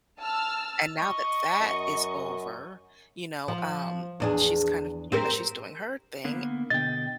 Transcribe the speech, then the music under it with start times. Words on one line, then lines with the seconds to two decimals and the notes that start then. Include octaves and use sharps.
And now that that is over, you know, um, she's kind of, you know, she's doing her thing.
0.21 A5 E6 F6
0.97 D#5 C#6
1.60 F#2
3.48 F3
4.20 E2 D4 G#4
5.12 C4 G4 A#4
6.25 D3 A#3 B3
6.70 B2 D3 B3 D#5 G5 A6